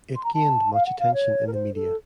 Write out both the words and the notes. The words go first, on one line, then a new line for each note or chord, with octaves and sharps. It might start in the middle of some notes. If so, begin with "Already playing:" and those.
It gained much attention in the media.
C6
A#5
A5
F5
F#5
F5
C#5
A#4
C5
A4